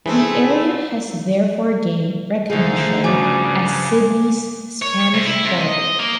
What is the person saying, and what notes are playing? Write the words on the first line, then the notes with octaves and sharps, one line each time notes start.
The area has therefore gained recognition as Sydney's "Spanish Quarter".
E3 A3 C4 D4 G#4 B5
D2 D3 F3 D#4 G#4 F5
G2 C#3 G3 C#4 F#4 G#5 D6
C#5
C3
E4
C3
D#5
A#3